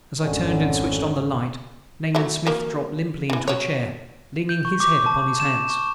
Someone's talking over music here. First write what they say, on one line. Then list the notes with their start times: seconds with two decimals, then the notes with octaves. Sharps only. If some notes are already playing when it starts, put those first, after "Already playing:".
As I turned and switched on the light Nayland Smith dropped limply into a chair, leaning his head upon his hands.
0.22 G#1 F2 D3 C#4
2.15 F#3 A3 E4
2.47 F#3 A#3
3.30 C#3 E3
3.48 F#3 C#5
4.49 G6
4.65 C#6
4.80 D6
5.06 A5
5.40 E7
5.70 C#6